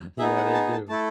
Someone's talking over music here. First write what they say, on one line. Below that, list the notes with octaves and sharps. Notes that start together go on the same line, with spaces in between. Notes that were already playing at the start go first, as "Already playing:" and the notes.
Yeah, they do.
B3 D#4 G#4 E5
F#5
A5
A5
A3 E4 A4 A5